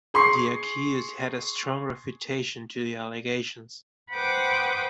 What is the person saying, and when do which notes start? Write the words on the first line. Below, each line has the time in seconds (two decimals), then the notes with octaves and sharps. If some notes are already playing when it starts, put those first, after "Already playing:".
The accused had a strong refutation to the allegations.
0.14 G#4 C6 C#6 C7
4.13 B4 C5 F#5 G5 D6 D#6